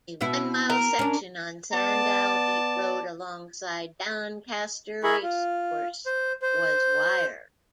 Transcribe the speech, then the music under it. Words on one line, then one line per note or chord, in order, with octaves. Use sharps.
A one mile section on Sandall Beat Road alongside Doncaster Racecourse was wired.
B2 B3 E4
A#4
C#4 D4
B3 D5 A5
E4 G#4 A#4 B5 C#6
F4
C5
C5